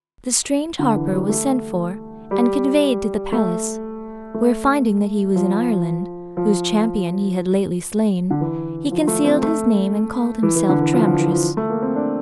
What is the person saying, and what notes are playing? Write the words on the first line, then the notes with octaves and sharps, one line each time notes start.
The strange harper was sent for, and conveyed to the palace, where, finding that he was in Ireland, whose champion he had lately slain, he concealed his name, and called himself Tramtris.
D3
E3
G3
A3
G3
A3
A3
F3
F3
D3
E3
F3
A3
C4
A3
E3
E3
D3
E3
F3
D3
E3
F3
A3
A#3
C4
D4